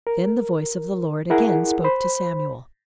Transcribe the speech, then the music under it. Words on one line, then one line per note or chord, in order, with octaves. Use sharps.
Then the voice of the Lord again spoke to Samuel.
A#4
E4 G#4 A#4 F#5
C5 B5